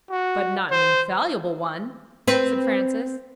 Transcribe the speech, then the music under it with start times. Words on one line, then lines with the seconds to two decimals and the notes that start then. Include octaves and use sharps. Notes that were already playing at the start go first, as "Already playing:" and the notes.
"But not an infallible one?" said Francis.
0.11 F#4
0.71 C5
2.27 C4 B4